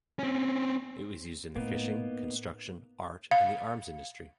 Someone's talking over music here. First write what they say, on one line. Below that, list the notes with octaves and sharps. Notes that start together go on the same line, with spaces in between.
It was used in the fishing, construction, art and the arms industry.
C4 C#4
A2 A#3 B3 D#4
F5